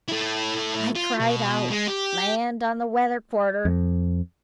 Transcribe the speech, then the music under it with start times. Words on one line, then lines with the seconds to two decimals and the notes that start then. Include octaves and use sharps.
I cried out, 'Land on the weather-quarter!
0.08 A3 E4
0.96 F4
1.20 B2
1.70 G#3
1.88 G4
3.65 F2